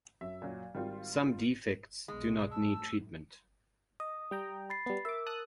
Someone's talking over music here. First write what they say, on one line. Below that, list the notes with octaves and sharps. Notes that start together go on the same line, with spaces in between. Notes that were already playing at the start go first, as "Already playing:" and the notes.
Some defects do not need treatment.
F#2 E5
A#2 F#3
G#1 G3 F4 A#4 G5
B1 E2 G#3
F#2 A2 A5 E6
D#5 D#6
G3 G5 A#5
B5 A6 C7
G3 B3
A#4 E5 D6 E6
A5 D#6 F#6